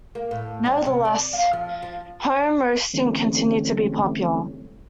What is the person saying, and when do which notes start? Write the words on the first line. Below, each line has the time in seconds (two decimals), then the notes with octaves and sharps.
Nevertheless, home roasting continued to be popular.
0.15 A#3
0.31 A2
0.66 G3
0.85 C3
1.05 D5
1.33 F5
1.53 F3
1.82 F3
2.94 D3 E3 G3 A3 C4 C#4